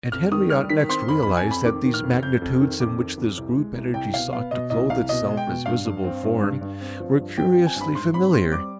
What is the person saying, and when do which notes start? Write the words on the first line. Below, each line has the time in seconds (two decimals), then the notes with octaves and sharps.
And Henriot next realised that these Magnitudes in which this group-energy sought to clothe itself as visible form, were curiously familiar.
0.12 F2 F6
0.32 D#3 D#6
0.50 G3 F6
0.70 D#3 B6
0.89 C4 C6
1.08 F2 B5
1.22 F2 B5
1.37 G#5
1.46 F2 B5
1.65 D#3 D6
1.85 D#3
1.94 F6
2.03 F2
2.22 F2 G6
2.42 F2
2.61 D#3
2.80 F2 D6
2.98 D#3
3.18 F2
3.37 C2
3.56 G#3
3.75 C2
3.94 C2 G5
4.14 B2 F5
4.32 B3 F5
4.51 B2 D#5
4.70 C2 D#5
4.89 C2 F5
5.09 B2 D#5
5.28 G#3
5.37 G5
5.47 B2
5.66 G2 F5
5.85 G2
6.04 C4
6.23 G2
6.42 G2
6.61 G2
6.81 C4
7.00 F3
7.19 G2
7.38 F3 G5
7.52 C4 G5
7.67 G#5
7.76 G2 B5
7.95 G#2 C6
8.14 C4 B5
8.33 C4 C6
8.52 G3 D6